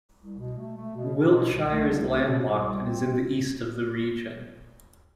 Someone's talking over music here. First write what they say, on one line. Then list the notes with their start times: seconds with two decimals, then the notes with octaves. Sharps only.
Wiltshire is landlocked and is in the east of the region.
0.20 C2
0.39 B2
0.58 A3
0.76 A3
0.95 B2
1.15 B2
1.33 B2
1.52 C2
1.70 A3
1.89 C2
2.08 A3
2.26 B2
2.45 C2
2.64 G3
2.83 C4